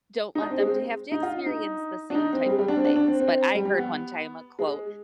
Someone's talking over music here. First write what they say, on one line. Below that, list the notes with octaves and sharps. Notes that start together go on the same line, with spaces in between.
don't want them to have to experience the same type of things, but I heard, one time, a quote,
D#4
D4
C4
G#3
C4
D#4
F4
D#4
D4
D#4
C4
G3
G#3
G3
D4
C4
D4
D4
C4
C4
G3
G3
B3
G#3